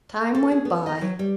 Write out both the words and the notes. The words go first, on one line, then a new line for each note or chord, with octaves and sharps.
Time went by.
A4
G#4
B3
D#5
F#3
G3